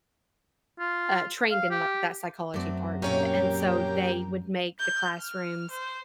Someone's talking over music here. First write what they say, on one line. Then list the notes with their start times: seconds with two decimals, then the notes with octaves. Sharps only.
uh, trained in, like, that psychology part of it and so they would make the classrooms,
0.79 F4
1.51 F5
1.71 G4
2.54 F#2 F#3 A3 C4 D5
3.02 A#2 A#3 C#4 G4 C#5 F5
4.79 G6
5.20 F6
5.71 C5